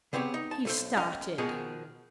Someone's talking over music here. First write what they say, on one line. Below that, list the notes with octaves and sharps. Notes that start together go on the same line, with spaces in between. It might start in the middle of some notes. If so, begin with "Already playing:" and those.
He started.
C#3 B3 C4 G4 C#5
D#4
A5
B1 A4 C5
C#4 D#5 F5 G5
B2 D#3 F3 D#4 G#4